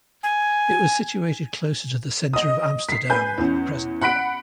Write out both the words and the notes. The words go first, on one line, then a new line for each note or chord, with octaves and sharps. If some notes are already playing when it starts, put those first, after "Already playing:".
It was situated closer to the centre of Amsterdam than the present one.
G#5
D#5 D#6
B6 C7
B4 G#5 G6
E2 C#4
F#5 B5 F#6 B6 D7